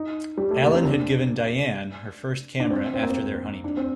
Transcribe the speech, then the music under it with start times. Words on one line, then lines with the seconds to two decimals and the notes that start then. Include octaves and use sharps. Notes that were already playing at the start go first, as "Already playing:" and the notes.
Allan had given Diane her first camera after their honeymoon.
Already playing: D#4
0.37 G3
0.51 A3
0.62 A#3
0.74 C4
0.85 D4
2.60 D4
2.71 C4
2.94 C4
3.02 A#3
3.10 C4
3.64 D4
3.77 C4